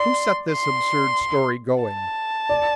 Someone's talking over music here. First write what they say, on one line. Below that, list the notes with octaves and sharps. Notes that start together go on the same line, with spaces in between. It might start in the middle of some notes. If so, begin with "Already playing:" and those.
"Who set this absurd story going?"
Already playing: D5 C6
C6
A5
D5